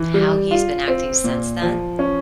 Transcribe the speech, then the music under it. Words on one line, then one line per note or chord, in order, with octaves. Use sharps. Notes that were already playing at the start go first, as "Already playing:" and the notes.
how he's been acting since then.
Already playing: E3
G3
F4
C4
A#2
F3
C#4